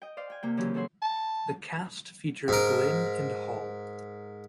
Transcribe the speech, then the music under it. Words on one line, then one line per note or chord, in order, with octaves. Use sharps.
The cast featured Glynn and Hall.
D#5 G5
C5 D5 F5
G5 G#5
C3 A#3 G5
C#3 E3 F#3 C4 G4 G#4
F#2 F#3 A4 C#5 F#5 C6
A5
G#2 A#4